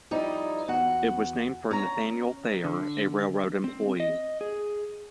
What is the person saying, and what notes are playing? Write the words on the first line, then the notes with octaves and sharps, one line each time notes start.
It was named for Nathaniel Thayer, a railroad employee.
F3 G3 D#4 E4
E2 F#4 F#5
C#4 A#5
D3
C4
D#5
G#4